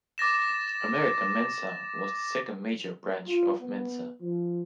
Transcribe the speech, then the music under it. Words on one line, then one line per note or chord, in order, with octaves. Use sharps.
American Mensa was the second major branch of Mensa.
D6 A6 A#6 E7
F4
B3
F3